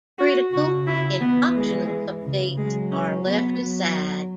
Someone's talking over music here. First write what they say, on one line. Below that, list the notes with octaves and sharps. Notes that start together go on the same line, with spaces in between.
Critical and optional updates are left aside.
F#4
C#3 F#4
E4
E3 B3
G#3
C#3
F#3 G#3
C#4
B3
F#3